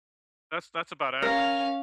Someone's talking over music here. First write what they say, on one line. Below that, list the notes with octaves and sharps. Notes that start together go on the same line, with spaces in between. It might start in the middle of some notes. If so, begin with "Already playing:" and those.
that's that's about average.
C#4 A#4 F5